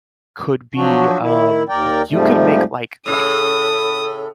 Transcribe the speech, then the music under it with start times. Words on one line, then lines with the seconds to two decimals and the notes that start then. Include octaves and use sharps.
could be, um, y you could make like like,
0.75 F3 F#3 D4 F#4
1.22 D#3 E4
1.69 D#2 A#4 D5 G5
2.10 G#2 C3 F3 G3 A3
3.06 A2 C#3 A4 D#6